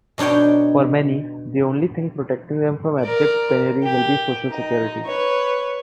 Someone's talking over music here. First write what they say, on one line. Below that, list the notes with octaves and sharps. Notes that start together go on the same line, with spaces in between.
For many, the only thing protecting them from abject penury will be Social Security.
B2 D4 D#4 C#5 G5
A#4 D5
G4
D#4
B4 C#5